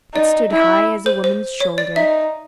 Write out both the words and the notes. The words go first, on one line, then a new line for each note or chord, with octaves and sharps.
It stood high as a woman's shoulder.
D#4 D5
E4
C5
C5
C#5
D5
D#4 E5